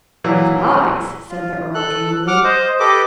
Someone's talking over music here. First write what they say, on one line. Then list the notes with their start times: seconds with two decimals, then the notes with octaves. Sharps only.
"Flies!" said the earl, angrily.
0.24 A#2 E3 F#3
1.29 F4
1.75 A4 F#6
2.28 F#5 D6 F6
2.44 C5 D#5
2.80 G4 A4 B4 D#5 D6